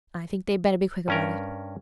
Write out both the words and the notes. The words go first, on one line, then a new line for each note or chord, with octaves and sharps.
I think they'd better be quick about it.'
G2 C#4 A#4